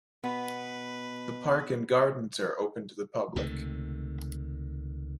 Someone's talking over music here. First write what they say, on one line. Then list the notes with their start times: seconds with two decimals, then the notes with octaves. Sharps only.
The Park and Gardens are open to the public.
0.24 B2 B3 B4
3.36 C#2 C3 D#3 A3